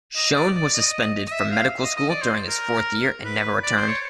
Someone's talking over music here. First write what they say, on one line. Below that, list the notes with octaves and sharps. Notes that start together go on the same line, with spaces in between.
Shoen was suspended from medical school during his fourth year and never returned.
D#5
D5
D5
D#5
D#5
E5
F5
D#5
D#5
D5
C5
A#4
B4
D5
C5
C#5